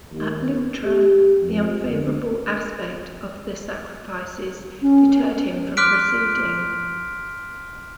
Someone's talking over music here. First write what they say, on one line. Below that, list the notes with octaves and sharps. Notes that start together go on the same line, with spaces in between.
At Leuctra the unfavourable aspect of the sacrifices deterred him from proceeding.
D#2
B3
G4
F2
D2
C#4
C6 D6 F6 F#6 B6 D7